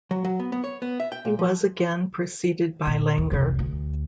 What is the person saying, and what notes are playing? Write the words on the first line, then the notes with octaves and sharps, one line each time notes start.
He was again preceded by Langer.
F#3
F#3
B3
B3
C#5
B3
E5
G5
A#2
F3
A#2
D#2
F1 C2
D2